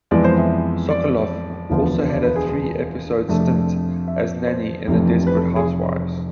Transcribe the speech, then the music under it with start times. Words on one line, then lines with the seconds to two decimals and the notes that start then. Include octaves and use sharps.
Sokoloff also had a three-episode stint as a nanny in Desperate Housewives.
0.11 F2 E3 G#3 B3 D5
0.24 C5
0.38 E5
0.90 D5
1.70 E1 D2 D3 F3 B3
2.09 D5
2.23 B4
2.36 G#4
2.49 G#4
3.28 F2 C3 F3 A3 D4
4.07 E5
4.47 C5
4.87 F1 F2 C3 E3 A3
5.27 B4
5.36 A4
5.56 G#4